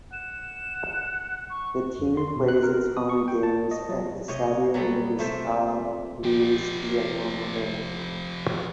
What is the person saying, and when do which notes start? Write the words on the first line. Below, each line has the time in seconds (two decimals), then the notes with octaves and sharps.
The team plays its home games at Estadio Municipal Luis Guillermo Moreno.
0.13 F#5 E7
1.50 C#6
1.99 F2
2.17 C6
2.36 B2
2.48 F#6
2.63 A#4
2.97 D#6
3.09 C#6
3.28 G5
3.43 A5
3.71 D#5
3.89 F#3
4.28 C3 C#5 D#5
4.74 F#3 G3 B3 A4
5.19 C3 A3 C5 E5
6.24 F3 G4